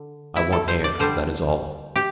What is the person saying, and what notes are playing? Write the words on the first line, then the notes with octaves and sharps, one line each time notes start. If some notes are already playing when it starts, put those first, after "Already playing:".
"I want air, that is all."
Already playing: D3
E4
A4
C5
D5
D3 G3 C5
G4